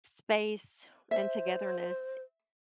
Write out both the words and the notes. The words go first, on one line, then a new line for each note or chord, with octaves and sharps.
space and togetherness,
C5 E5